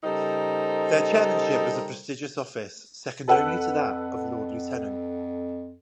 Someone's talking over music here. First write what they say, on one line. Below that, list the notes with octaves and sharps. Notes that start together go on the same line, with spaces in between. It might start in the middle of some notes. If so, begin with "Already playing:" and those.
The chairmanship was a prestigious office, second only to that of lord lieutenant.
C#3 G3 D#4 A4 A#4 C5
F2 A4 B4 F#5